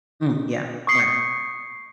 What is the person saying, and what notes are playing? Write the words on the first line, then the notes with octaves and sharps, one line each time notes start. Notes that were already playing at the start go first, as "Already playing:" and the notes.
Mm, yeah. Right.
C#6 D#6 C7 C#7